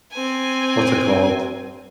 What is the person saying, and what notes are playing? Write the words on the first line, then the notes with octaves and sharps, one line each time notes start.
what's it called
C4 G#5